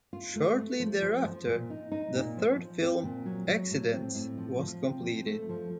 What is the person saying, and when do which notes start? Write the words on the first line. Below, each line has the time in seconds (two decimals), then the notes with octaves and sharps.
Shortly thereafter, the third film "Accidents" was completed.
0.13 F4
0.36 A3
0.58 A3
0.80 F3
1.02 F3
1.25 F3
1.47 A#2
1.70 D#4
1.92 D#4
2.15 A#2
2.37 F3
2.59 F3
2.82 C4
3.03 A#2
3.26 F#3
3.47 F#3
3.71 A2
3.92 C4
4.15 A2
4.38 F3
4.59 F3
4.83 C4
5.04 F3
5.26 A3
5.49 F3